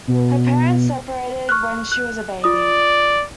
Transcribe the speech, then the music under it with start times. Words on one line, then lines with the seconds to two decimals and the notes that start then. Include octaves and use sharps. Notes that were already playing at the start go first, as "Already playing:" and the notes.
Her parents separated when she was a baby.
0.07 B2
1.49 C#6 F6 F#6
1.92 F#6
2.44 F4 D5 D#6